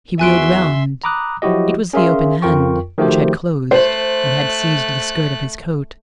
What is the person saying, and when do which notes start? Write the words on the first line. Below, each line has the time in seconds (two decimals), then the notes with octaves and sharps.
He wheeled round; it was the open hand, which had closed, and had seized the skirt of his coat.
0.19 E2 F#4 E5 G#5 C6 F#6 D7
1.04 A#5 B5 D6 D#6 F#6
1.42 F3 F#3 E4 F#4 G4 D#5
1.93 C#4 G#4 A#4 E5 F5 C6
2.42 F2 F4 A#4 G5 C#6
2.98 D#3 F3 A3 F#4 G4 C5
3.71 A3 C5 F#6